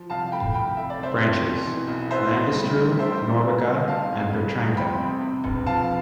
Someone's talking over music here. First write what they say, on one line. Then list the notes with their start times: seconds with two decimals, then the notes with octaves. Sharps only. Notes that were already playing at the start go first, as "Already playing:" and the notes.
Branches: Landestreu, Nowica, and Petranka.
Already playing: F3
0.10 C2 F5 A5
0.32 A3 G5 B5
0.54 C3 G5 B5
0.77 A3 E5
0.90 D5
0.99 C2 C5 E5
1.21 C4
1.44 B2
1.66 E3
1.88 B1
2.10 B3 C5 E5
2.32 A2
2.54 G3
2.77 A1
2.99 A1 C5 E5
3.22 A2
3.43 G3
3.66 B1
3.88 C4 F5 A5
4.11 A2
4.32 G3
4.55 E2
4.77 C4 G5 B5
4.99 C3
5.21 C3
5.44 E1
5.66 F3 F5 A5